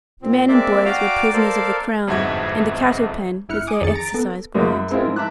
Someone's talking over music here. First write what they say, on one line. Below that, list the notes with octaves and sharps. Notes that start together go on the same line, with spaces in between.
The men and boys were prisoners of the Crown, and the cattle-pen was their exercise ground.
A#2 C4
G#3 A#3 C4 D5 E5
F#4 D5 F5 G5 A#5 D6
A4 A#4 C5 D5 F5
G1 F2 G#2 F#4 E5 G#6
G1 E4 F6 F#6 C#7
G#5 D6 D#6
F2 D#3 G#4 A6 C#7
A#5 A6 A#6 D7
B3 A4
F#2 C#3 G#3 A#3 F#4
F#2 B5
G#3 C4 E4 F4 A#4
G#2 F3
E5 A5 A#5 D6 F#6